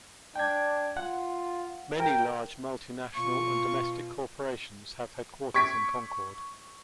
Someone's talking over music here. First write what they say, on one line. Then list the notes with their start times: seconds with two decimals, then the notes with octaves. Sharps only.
Many large multi-national and domestic corporations have headquarters in Concord.
0.36 D4 G5 G#6
0.97 F4 F#5
2.00 A#4 G5
3.15 B2 F4 C#6
5.54 C#6 G#6 B6 D7